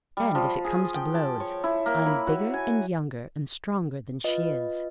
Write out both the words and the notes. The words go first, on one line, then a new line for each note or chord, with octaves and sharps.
And if it comes to blows, I'm bigger and younger and stronger than she is.'
G3
F3
G#4
G5
A5
C#5
E4
A#3
B5
F#4
G#5
F4 B4 D#5